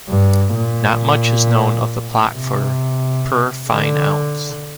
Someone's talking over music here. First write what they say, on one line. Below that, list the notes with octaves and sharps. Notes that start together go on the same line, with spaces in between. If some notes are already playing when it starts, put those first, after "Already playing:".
Not much is known of the plot for "Per Fine Ounce".
G2
A#2
C3
D3